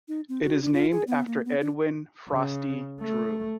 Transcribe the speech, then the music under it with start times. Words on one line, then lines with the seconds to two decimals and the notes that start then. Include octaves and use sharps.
It is named after Edwin "Frosty" Drew.
0.08 D#4
0.29 C4
0.44 F#4
0.62 D4
0.74 F4
0.92 G#4
1.07 B3
1.27 A#3
1.45 B3
1.61 D4
2.29 C#3
3.00 A3